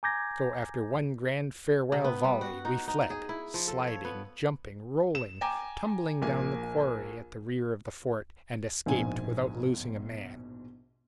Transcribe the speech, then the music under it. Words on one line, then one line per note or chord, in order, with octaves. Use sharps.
So, after one grand farewell volley, we fled, sliding, jumping, rolling, tumbling down the quarry at the rear of the fort, and escaped without losing a man.
G#5 A#5 D6 G6 G#6 A#6
C3
B3
G3
F#4
D#4
D#4
G#4
E4
F3
A4
C#5
B3
E7
G5 G#5 A#5 D6
A#1 A#3 G#5
A#1 G#2 B2 G#5